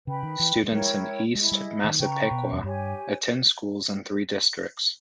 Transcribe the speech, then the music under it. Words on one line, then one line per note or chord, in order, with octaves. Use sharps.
Students in East Massapequa attend schools in three districts.
C#3 B4 G5 B5
D#3
E3
A#3
G#3
G3 E4 A#4 C#5 G5
G#3
G#3 E4 G#4 D#5
G3
D#3
C#3 B4 G5 A#5 C#6
B2
E2
G2 G4 C#5 G#5